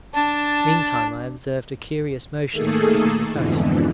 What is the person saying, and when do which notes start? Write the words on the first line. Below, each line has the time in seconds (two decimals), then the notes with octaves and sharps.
Meantime I observed a curious motion in the heavenly host.
0.14 D4 A5
2.50 D#3 A3 A#3 G#4 A4
3.30 F2 G#2 B2 D3 E3